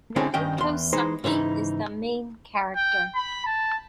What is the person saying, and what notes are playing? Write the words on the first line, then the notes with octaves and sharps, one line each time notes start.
Naoto Saki is the main character.
D3 G#3 C4 C#4 E4 A4
G2 D#3 C#4 D#5 G5
E2 C6
E3 G#3 D#4 C5
G#2 C#3 E3 D#4
G5
B5
A5